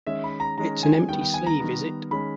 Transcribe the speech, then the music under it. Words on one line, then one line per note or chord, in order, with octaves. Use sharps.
It's an empty sleeve, is it?
D#3 G#3 C#4 E5
B5
A#5
D#3 G#3 C#4 A#5
G#5
D#3 G3 B3 G5
G5
G#5
A#5
D#3 G3 B3
D#3 G#3 C#4 B5